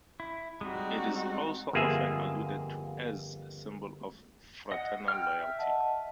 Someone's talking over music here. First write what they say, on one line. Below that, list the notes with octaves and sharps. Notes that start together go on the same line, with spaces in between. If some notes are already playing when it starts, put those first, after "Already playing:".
It is also often alluded to as a symbol of fraternal loyalty.
E4
G3 G#3 C4 D#4 F#4
G1 F2 A#3 F4 G#4 E5
D#5 F#5
G5 F6
E5
D#5 F#5 A5